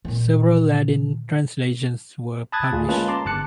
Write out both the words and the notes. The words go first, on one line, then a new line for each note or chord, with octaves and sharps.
Several Latin translations were published.
A#2 D#3
A5 B5 D#6 F#6 G#6 A6
D2 F4 G#4
G#3 A#3 C#4 F4 B4 A5
A5 A#5 C6 D6
G1 A5 D6 F#6 C#7